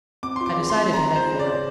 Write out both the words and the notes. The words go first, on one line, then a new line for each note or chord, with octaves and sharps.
I decided to head for it.
C4 D6
F4 C6
D6
G#4
C6
C4
C4 A#5
F4
C5
G#4
D5
C4